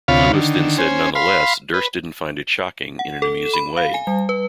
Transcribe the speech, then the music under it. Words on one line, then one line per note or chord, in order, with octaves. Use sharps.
Lewis then said nonetheless, Durst didn't find it shocking in an amusing way.
D2 C3 F4 C#5 F5 B5
D3 D#3
C#4 C5 G#5
F5 B5 C6
B4
F#5
A4
E7
B5
F5
G#5
G3
B4